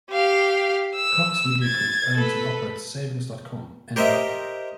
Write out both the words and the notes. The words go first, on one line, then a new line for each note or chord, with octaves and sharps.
Cox Media Group owns and operates Savings dot com and Valpak.
G4 F5
E6
G#6 A6
A4 B4
G4 A#4 C5 D#5 E5